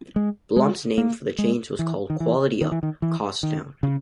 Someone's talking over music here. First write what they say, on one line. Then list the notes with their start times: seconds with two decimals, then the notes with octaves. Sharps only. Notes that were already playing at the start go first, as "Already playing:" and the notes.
Blum's name for the change was called Quality up, Costs down.
0.16 G#3
0.56 G#3
0.98 A#3
1.39 G#3
1.79 E3
2.10 D#3
2.20 E3
2.61 D#3
2.72 E3
2.83 D#3
3.02 E3
3.43 D#3
3.83 C#3